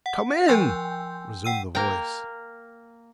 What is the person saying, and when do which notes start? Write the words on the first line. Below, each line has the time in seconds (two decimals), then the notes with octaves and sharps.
"Come in," resumed the voice.
0.06 F#5
0.48 F3 G5 G#5 C6 E6 G6
1.44 F#5 G5 E6 D#7
1.75 A#3 A#4 G5